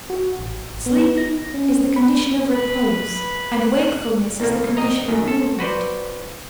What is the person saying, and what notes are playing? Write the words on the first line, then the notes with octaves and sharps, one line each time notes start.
Sleeping is the condition of repose, and wakefulness is the condition of movement.
F#4
A1
B3
A#6
C#4
B5
B4
F#6
C2 A2 A#3
A#1 D#5 A#5
F#2 D#3
A4
F#4 B4 C5 D5